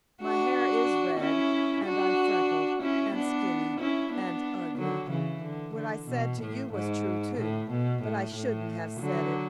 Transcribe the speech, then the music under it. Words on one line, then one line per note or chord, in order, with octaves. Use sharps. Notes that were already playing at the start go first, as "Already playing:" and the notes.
My hair is red and I'm freckled and skinny and ugly. What I said to you was true, too, but I shouldn't have said it.
D4 F#4
C#4 E4
D4 F#4
C#4 E4
B3 D4
C#4 E4
B3 D4
D3 F#3
C#3 E3
D3
D3
B2
A2
G#2
A2
B2
A2
A2
D3 F#3